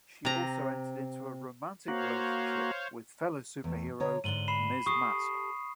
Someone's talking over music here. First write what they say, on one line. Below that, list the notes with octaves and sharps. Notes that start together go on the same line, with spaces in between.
She also entered into a romantic relationship with fellow superhero Ms. Masque.
C3 A#5
A#3 F#4 C5 C#5 F5
E2 A3
D3 C#5 A#5
G#2 D3 D4 D#7 F#7 G7
B5 C7 E7
G4 A4 C#6 D#6 C7